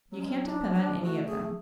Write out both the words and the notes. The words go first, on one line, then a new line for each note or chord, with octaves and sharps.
You can't depend on any of them.
F#3 C#4
G#3
F#3
D4
F3
D4
A3 F#4
G#4
A3